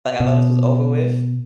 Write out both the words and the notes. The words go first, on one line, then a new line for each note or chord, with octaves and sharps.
like, "I thought this was over with?"
B2